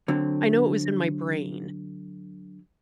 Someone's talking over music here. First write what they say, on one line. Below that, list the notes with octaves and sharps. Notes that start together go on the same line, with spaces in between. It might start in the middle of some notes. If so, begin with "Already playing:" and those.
I know it was in my brain.
D3 F#3 C4